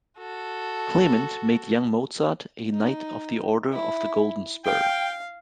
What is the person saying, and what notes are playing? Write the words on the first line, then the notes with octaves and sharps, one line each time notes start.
Clement made young Mozart a knight of the Order of the Golden Spur.
F#4 A4
D#4
E4
F5 G5